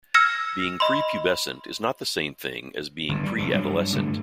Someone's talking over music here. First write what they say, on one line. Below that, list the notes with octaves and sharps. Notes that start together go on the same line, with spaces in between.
Being prepubescent is not the same thing as being preadolescent.
E6 F6 G#6 A#6 C#7 E7
D#5 B5 C6
G1 G2
G3
F1 C3
G2 F#3
G2 D3 G3 A3